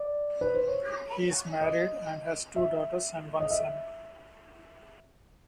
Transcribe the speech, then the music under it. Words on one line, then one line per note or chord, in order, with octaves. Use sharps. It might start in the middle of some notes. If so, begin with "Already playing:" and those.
He is married, and has two daughters and one son.
Already playing: D5
B4
C5
C#5
D#5
E5
D#5
E5